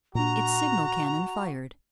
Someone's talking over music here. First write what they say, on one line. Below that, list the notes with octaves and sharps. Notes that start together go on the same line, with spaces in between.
Its signal cannon fired.
A#2 D4 F#4 A#5